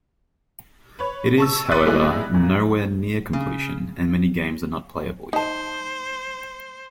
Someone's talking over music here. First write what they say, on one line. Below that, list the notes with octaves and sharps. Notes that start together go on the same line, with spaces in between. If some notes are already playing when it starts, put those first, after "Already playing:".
It is, however, nowhere near completion and many games are not playable yet.
B4 C#5
A5 C#6 E6
C6 D6 F#6 A6 B6 D#7
G3 G#3 B3 D#4 E4 G#4
A#2
C#3
D#4 C5 A5